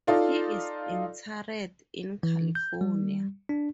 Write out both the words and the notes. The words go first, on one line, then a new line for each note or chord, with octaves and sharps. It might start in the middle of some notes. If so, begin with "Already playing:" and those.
He is interred in California.
D#4 F4 A4 D5
E3
G6
G3
D4